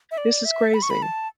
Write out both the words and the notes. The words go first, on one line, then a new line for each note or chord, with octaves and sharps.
This is crazy.
E5
D5
E5
B5
C#6
B5
A5